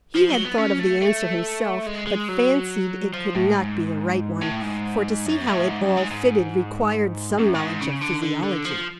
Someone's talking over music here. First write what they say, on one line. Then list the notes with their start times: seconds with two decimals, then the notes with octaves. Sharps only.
He had thought of the answer himself, but fancied it could not be the right one, for to see how it all fitted required some knowledge of physiology.
0.16 F3
0.30 F#3
0.45 B3
0.58 C#4
0.79 A3
1.01 A3
1.86 G#3
2.07 G#3
2.29 F#3
3.13 F3
3.35 A2
3.55 G#2
4.41 A2
4.62 G#2
5.26 F#2
5.47 A2
5.68 G#2
5.82 F#2
5.97 G#2
6.11 G#2
7.38 F#2
7.55 A2
7.59 G#2
7.81 C#3
8.02 D3
8.23 D3
8.44 D3
8.65 F3